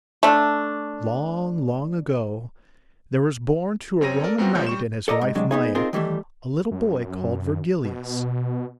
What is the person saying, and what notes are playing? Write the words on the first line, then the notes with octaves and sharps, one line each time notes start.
Long, long ago there was born to a Roman knight and his wife Maja a little boy called Virgilius.
A3 D4
F#2 C4 C#5 A#6 D#7
A4 A#4 D5
F#2 B3 C4 F4 F#4 G5
C2 F3 G#3 F4 C#5 G6
G3 C#6 E7
A4 D5 D#5 A#5
G#2
C3 F#3 G#3 D4
B3 D#4 G#4
C4 D#4 F4 G#4 A#4 C5
D#3 E3 G3 A3
F#2
B2